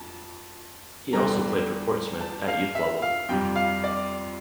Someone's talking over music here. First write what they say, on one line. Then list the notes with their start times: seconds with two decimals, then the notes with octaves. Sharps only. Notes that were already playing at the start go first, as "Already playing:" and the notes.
He also played for Portsmouth at youth level.
Already playing: F2 A5
1.13 E2 D3 G3 A#5
2.21 A5
2.48 F5
2.75 E5
3.02 F5
3.29 F2 C3 G3 G5
3.56 F5
3.84 D5